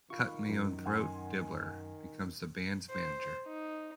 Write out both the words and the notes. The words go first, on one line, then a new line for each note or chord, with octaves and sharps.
Cut-Me-Own-Throat Dibbler becomes the Band's manager.
D#3 F4 F5 B5 C#6
F#2 F3
F#5 G#5 C6
C5
D#4